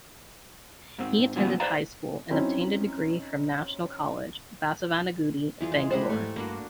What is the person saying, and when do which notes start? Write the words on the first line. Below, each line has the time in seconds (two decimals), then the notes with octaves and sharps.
He attended high school and obtained a degree from National College, Basavanagudi, Bangalore.
0.99 G#2 C4
1.36 A#2 D3 F3 G3 B3 C4
1.60 B4 C5 D5 F5 A5 A#5
2.31 F#3 C4 C#4 D#4 E4
5.61 E2 E3 F4 G#4
5.72 G#3
5.91 G3 G#3 D4 C5 F#5 B5
6.09 G#2 A3
6.36 G2 A#3 D4 F#4